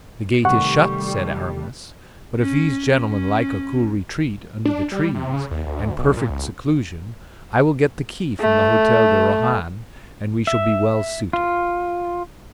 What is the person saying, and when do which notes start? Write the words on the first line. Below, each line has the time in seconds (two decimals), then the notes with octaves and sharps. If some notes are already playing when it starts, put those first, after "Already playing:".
"The gate is shut," said Aramis, "but if these gentlemen like a cool retreat under the trees, and perfect seclusion, I will get the key from the Hotel de Rohan and we shall be well suited."
0.45 C3 D#3 G3 A3 F#5 C#6
2.40 C#4
3.09 C#4
4.65 D4
4.92 G3
5.15 C3
5.33 C#3
5.51 D#2
5.66 D2
5.81 D2
5.99 B1
6.17 A#2
6.29 C#2
8.40 A3
10.47 E5
11.33 F4